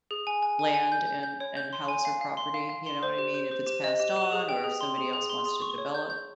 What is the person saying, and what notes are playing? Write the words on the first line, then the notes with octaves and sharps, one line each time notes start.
land, and and house or property, you know what I mean, if it's passed on or if somebody else wants to develop.
G#4
G#5
G#5
G#5
G#5
G6
G6
G6
C#5
G6
C6
G#5
F5
F5
C6
F5
F5
C6
C5
G4
C5
C5
G4
D#5
G4
G4
G#4
G5
G#4
C6
G#4
G#4
C6
G#4
C#6
C#5
G6
G6